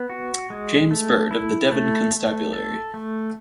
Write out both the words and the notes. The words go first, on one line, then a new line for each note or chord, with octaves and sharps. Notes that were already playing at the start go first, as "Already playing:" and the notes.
James Bird of the Devon constabulary.
Already playing: B3
F#4
G#3
A3
E4
A3
A3
A4
A3